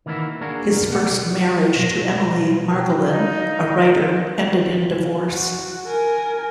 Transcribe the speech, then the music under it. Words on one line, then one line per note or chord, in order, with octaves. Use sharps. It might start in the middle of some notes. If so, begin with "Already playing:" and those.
His first marriage to Emily Margolin, a writer, ended in divorce.
D#3 E3 A#3 C#4 E4 F#4
A#3 D4 F#4 G#4 A#4
B2 A3 F#5
B2 A#6
F#4 G5
D#4 F5
F#4
A#4 G#5